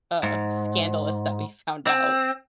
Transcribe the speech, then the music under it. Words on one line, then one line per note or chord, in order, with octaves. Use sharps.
uh, scandalous that we found out.
G#2
C4